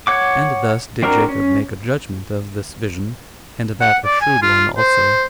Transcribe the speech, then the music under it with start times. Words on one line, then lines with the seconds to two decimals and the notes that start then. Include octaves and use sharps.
And thus did Jacob make a judgment of this vision, and that a shrewd one also.
0.07 C#5 F#5 D6
1.03 C4 D4 F#4 A#4 A#5
1.28 C#4
3.81 F#5
4.05 D5
4.21 G#5
4.42 F4
4.78 C5